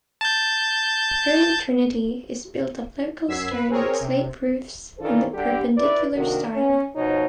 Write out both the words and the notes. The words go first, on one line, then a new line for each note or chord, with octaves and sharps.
Holy Trinity is built of local stone with slate roofs in the Perpendicular style.
A5 G6
F#2 E6 G#6 B6 C7
B4
C4 G#4 A#4 C#5
C3
D#3 E3 D4 F4 A4
D3 G3 G4
E4 B4 D5
C3 D#3 A#3 D4 F#4 A4
C#4
B2 F3 D#4 C#5